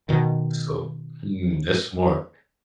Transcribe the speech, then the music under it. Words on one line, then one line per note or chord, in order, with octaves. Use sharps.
So, mm, that's smart.
B2 D#3